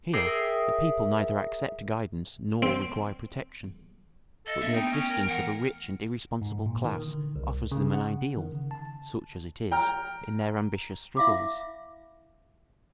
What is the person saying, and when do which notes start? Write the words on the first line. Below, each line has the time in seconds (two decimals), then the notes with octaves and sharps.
Here the people neither accept guidance nor require protection; but the existence of a rich and irresponsible class offers them an ideal, such as it is, in their ambitious struggles.
0.13 G#4 A#4 E5 G5
2.62 C4
4.47 A4 D#5
4.61 A#3 B3 D4 E5
4.73 A3 B3 D#4 G5
4.92 C#4
5.10 A#4
5.28 E3 F#5
6.42 G#2
6.66 A#2
6.84 D#3
7.08 D3
7.36 C2
7.72 C#3
7.94 F#5
8.37 D#3
8.53 C#3
8.71 A5
9.72 G5 A#5 F6
11.17 E4 E5 F5 B5 D6